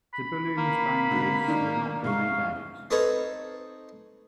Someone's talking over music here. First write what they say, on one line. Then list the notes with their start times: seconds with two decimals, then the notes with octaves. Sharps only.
Zebulun's boundaries have not been made out.
0.14 B5
0.57 A#3
1.11 G#2 D3
1.48 D#3 D4 D#4
2.04 C2 G#3 F5 C#6
2.91 C4 D#4 A4 B4 C#5